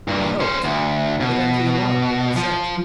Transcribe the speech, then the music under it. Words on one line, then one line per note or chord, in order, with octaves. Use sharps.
He helped, evidently alarmed and upset.
G2 A#2
C#4 C5
D2
B2
F3